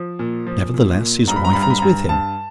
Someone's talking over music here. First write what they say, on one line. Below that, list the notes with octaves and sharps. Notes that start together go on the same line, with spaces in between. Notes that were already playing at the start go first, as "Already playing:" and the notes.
Nevertheless, his wife was with him.
Already playing: F3
A#2
F3
A#2
A#2
G2 A#5
B5
A#5
G2 B5
A#5
B5
G2 A#5
G2 A5